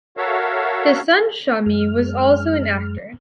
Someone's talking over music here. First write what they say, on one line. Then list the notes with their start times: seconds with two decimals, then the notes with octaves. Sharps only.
His son Shammi was also an actor.
0.17 F#4 A4 A#4 C#5 E5 F5
1.66 F#2 G#3 F6